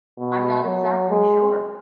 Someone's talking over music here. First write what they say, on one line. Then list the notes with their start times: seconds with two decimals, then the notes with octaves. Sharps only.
I'm not exactly sure.
0.18 B2
0.65 F#3
1.10 G#3